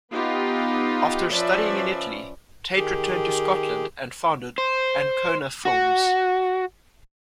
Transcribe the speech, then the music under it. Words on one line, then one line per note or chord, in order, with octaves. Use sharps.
After studying in Italy, Tait returned to Scotland and founded Ancona Films.
B3 D#4 F4 G4
F3 C#4 B4 D5 E5
D#3 G4 G#4
C5
F#4